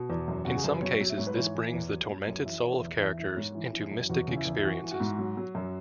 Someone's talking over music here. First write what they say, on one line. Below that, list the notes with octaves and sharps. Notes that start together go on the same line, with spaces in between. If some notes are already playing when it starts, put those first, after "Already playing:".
In some cases this brings the tormented soul of characters into mystic experiences.
Already playing: B2
E2
F#2
C#3 F#4
G#4
F#2
B4
F#3 C#5
F#3
E5
G#2 C#5
B4
E3 C#5
E3
E2
F#3
F#3
F#2
E3 E5
C#5
E3
E5
E2
E3 E5
E3 E5
G#2 C#5
E3
E3
F#2
E2 F#4
C#3
E4
E2
E4
E3 F#4
E3
F#4
G#2
F#3
F#3
F#2